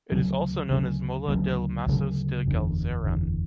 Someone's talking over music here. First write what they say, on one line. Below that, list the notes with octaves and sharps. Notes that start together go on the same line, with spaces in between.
It is also known as Mola dels masos de Galzeran.
D2 C#3 F#3 C#4
D2 C#3 F#3 C#4
D2 C#3 F#3 C#4
D2 C#3 F#3 C#4
F#1 E2 D3
F#1 E2 D3